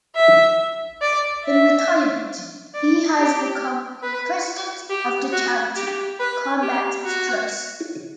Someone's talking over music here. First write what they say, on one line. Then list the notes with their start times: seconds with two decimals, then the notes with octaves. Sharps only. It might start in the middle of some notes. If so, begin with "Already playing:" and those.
In retirement he has become President of the charity "Combat Stress".
0.15 E5
1.02 D5
1.45 E5
2.75 D5
3.17 G4
4.03 B4
4.90 G4
5.33 F#4
5.76 G4
6.20 B4
6.62 G4
7.05 F#4